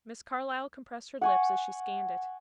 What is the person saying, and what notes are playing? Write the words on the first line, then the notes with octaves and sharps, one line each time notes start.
Miss Carlyle compressed her lips as she scanned it.
F#5 G#5 C#6